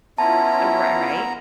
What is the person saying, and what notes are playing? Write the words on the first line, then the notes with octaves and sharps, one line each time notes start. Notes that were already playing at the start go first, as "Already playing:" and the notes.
uh, ri right?
B3 C#4 E4 F4 E5 A5 A#5